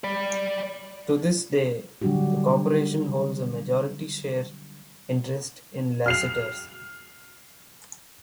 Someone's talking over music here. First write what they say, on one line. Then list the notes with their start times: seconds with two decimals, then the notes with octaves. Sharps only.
To this day, the Corporation holds a majority share interest in Lassiter's.
0.04 D5 B5
2.02 D3 F#3 G3 D4 F#4 G4
6.06 F6 C7 F7